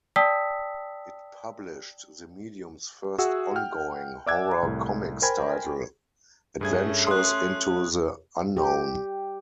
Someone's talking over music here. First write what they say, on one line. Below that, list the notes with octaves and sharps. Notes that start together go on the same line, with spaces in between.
It published the medium's first ongoing horror-comics title, "Adventures into the Unknown".
D5 G5 A5 D#6 E6 B6
F#4 G#4 E5 F#5 E6
F#5 G5 F6
D5 E5 D6 E6 F#6 G#6
C2 A2
A#4 C5 G5 G#5 B5 G#6
G2 A3 C#4 G#4 G#6
C6 D#6 F#6
G4